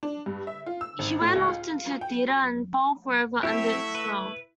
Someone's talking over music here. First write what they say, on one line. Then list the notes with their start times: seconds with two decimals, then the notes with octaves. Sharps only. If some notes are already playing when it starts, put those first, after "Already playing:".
He went often to the theater and fell forever under its spell.
0.03 D4
0.26 G2
0.47 E5
0.66 F4
0.81 E6
0.99 G#1
1.21 A2
1.35 C#2
1.48 F4
2.01 G5
3.43 A3 C4 E4 F#4 G4 E5
3.95 B4